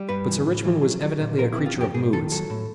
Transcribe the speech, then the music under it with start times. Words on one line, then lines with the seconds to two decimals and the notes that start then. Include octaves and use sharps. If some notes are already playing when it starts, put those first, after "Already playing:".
But Sir Richmond was evidently a creature of moods.
Already playing: G3
0.09 G2 B4
0.28 E3
0.47 A2
0.64 E3
0.82 F#3
1.02 F#3
1.21 A#2
1.38 F3 A#4
1.53 E4
1.57 C3
1.66 F4
1.76 F2 G4
1.94 G#2 G#4
2.13 D#3 A4
2.32 F#3 A4
2.50 A2